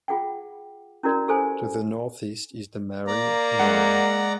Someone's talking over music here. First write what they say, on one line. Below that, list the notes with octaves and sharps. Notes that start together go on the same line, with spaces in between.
To the northeast is the Mare Humorum.
F4 G#4 F#5 G5
C#4 E4 F#4 A#4 D5
G4 A4 A#4 C5 G#5
A#3 D5 A#5
G#3 F#5